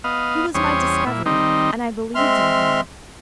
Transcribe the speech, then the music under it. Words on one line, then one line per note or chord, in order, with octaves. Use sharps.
He was my discovery and I believed in him.
B3 D#5 F5
E2 G3 C#4 C5 C#5 D#6
A#2 E4
D#3 G3 C4 D#4
G#3 C4 E5 C6 F6